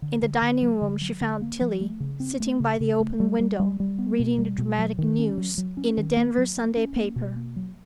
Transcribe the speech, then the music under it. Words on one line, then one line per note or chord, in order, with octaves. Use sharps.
In the dining-room she found Tillie, sitting by the open window, reading the dramatic news in a Denver Sunday paper.
D3
D3
D3
F#3
D3
F#3
D3
A#3
F3
A3
C#3
C4
A3
C#3
C#3
A3
G3
G3
G3
G3
B3
B2
G3
B2
F#3
D#3
C#4
F#3
F#3
C#4
D#3
A#3
F#3
A#3
C#4
A#3
B2
A#3
F#3